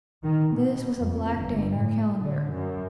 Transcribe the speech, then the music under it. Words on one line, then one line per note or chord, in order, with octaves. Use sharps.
This was a black day in our calendar.
D#3
B2
F2
G1
A2
D3
F#2